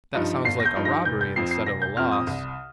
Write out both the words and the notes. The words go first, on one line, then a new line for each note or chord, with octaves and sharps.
"That sounds like a robbery instead of a loss."
G2 F3 D#4
G1 C7
A#6
G6
G2 F3 D#4
A#6
F1 G6
G6
F2 F3 C4 C7
C7
F1 A#6
G6
F2 F3 C4 F6
D#6
C2